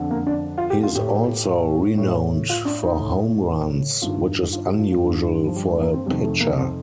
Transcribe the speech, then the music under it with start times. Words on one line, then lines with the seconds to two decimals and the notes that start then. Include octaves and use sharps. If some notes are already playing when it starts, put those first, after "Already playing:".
He is also renowned for home runs, which is unusual for a pitcher.
Already playing: F2 D3
0.11 A#3
0.27 D4
0.58 F4
0.70 G4
0.83 F4
0.95 A2 G4
1.98 A2
2.49 F4
2.65 D4
2.83 D#4
2.99 A2
4.02 G2 D#3 F4
4.53 F4
4.67 G4
4.79 F4
4.92 F4
5.04 G2 D3
5.46 F3
5.56 G3
5.68 A3
5.82 A#3
5.94 C4
6.06 F2 C3 D#3 G3
6.24 A3
6.40 A#3
6.58 C4